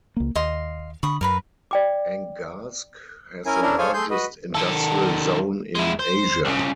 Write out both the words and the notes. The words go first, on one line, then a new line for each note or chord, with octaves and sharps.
Angarsk has the largest industrial zone in Asia.
C#2 A#3
D#2 D#5 F5 C6
D3 B5 C#6 D#6
F#2 A#4 B4 B5
D5 G5 D6
C#4 E4 A#4 G#5
C#4 D4 E4 A#4
G#4 A4 C5 C#5 F5 G#5
A3 G#4 C6 G6
F#4 B4 D#5
D#3 A4
G#3 E4
C5
C2 C#3